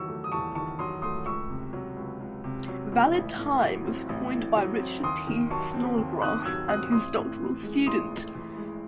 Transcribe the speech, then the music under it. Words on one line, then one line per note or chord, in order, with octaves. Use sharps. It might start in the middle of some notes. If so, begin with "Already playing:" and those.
"Valid time" was coined by Richard T. Snodgrass and his doctoral student.
Already playing: E2 D#3 F#3 C#6 E6
A3
D#6
E2 A5 C#6
D#3 A5 C#6
F#3 C6 D#6
A3 C6 D#6
C#2 C#6 E6
C3
F#3
C#2
C#2
C3
F#3
C#2
A1
A2
F#3
C4
A1
A2
F#3
C4
D#2 C6 D#6
D#3
F#3 A5 C#6
C4
D#2
D#3 D#6 F#6
F#3 E6 G#6
C4 D#6 F#6
A1 C6 D#6
A2
E3
G#3
A1 C6 D#6
A2
E3
G#3